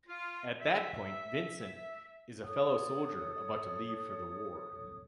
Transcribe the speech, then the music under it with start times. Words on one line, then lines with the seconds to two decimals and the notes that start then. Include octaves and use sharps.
At that point Vincent is a fellow soldier about to leave for the war.
0.08 F4
0.59 E5
2.44 A4 C#5 D#6